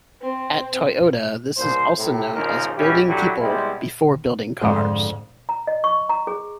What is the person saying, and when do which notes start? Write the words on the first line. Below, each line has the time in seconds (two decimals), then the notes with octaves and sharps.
At Toyota this is also known as Building people before building cars.
0.20 C4
1.57 C2 A#3 C5
1.97 A2 C3
2.34 G#1 D#2 C#3 F3 A#4
2.77 G#2 E3 B3 C#4 G4
3.08 D3 F#3 E4 G4
3.38 G3 G#3 B3 C4 E4
4.61 F2 G#2 D3 C5
5.49 A#5
5.67 D#5
5.84 C#6
6.09 A#5
6.27 G#4